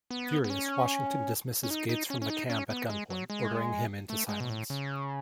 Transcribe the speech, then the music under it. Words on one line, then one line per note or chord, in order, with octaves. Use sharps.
Furious, Washington dismisses Gates from the camp at gunpoint, ordering him into silence.
B3
B3
C#4
C#4
D#4
D#4
C#4
C#4
D#4
C#4
B3
G#3
F#3
G#3
A3
G#3
B2
A2
C#3